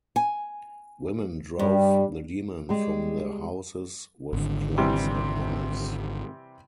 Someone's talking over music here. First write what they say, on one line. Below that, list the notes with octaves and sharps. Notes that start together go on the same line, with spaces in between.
Women drove the demon from their houses with clubs and knives.
G#5
G2 G3
G3 G#3 G4
G#1 D3
C3 E3 G3